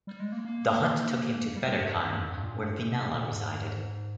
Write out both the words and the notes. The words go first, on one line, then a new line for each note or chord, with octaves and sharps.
The hunt took him to Fettercairn, where Finella resided.
G3
G#3
A#3
A#3
G3
G2
F2
G2
F2
G2
A#2
G2
A#2
C3
A#2
G#2
G#2